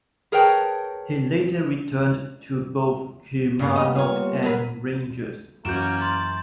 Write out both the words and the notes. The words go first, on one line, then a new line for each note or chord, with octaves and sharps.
He later returned to both Kilmarnock and Rangers.
G#4 A#4 B4 C#5 G5 A5
G2 G3 A#3 B3
D#5
F4 C#5
F#3 A#4 B4
F#2 E3 A#3 C#4 F#4 G6 D7 E7
C6 A6